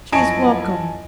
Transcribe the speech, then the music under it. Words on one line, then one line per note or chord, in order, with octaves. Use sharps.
"She is welcome."
F#2 F3 E4 D#5 G#5 A5 C#6 D7